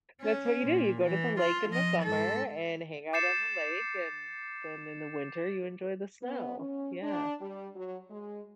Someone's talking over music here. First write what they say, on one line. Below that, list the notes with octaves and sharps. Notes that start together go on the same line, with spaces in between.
That's what you do, you go to the lake in the summer and hang out on the lake, and then in the winter you enjoy the snow, yeah.
C#4
A#2
E3
F4
F3 D#5
G#2 A4
D6 G6 A6 C7 C#7 E7
B3
C#4
D4
G3
F#3
G#3